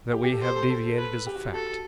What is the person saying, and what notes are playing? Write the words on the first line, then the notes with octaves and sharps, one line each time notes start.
That we have deviated is a fact.
G4
G4
A4
C5
A4
A4
B4
G4
F#4
F#4 A4